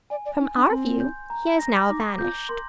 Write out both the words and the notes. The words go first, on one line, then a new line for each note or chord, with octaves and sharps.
From our view he has now vanished.
D5 G#5
D5
D#4 G#5
D4
C4 C6
G6
A#5
A#6
D#4 D6
F4 G6
A#4 C6